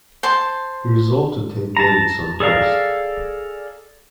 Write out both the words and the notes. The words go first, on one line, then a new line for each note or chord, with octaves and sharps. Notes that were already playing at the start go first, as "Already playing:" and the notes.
He resolved to take Davidson first.
C5 A5 C6
A5 A#5
G#4 A4 D5 F5 A#5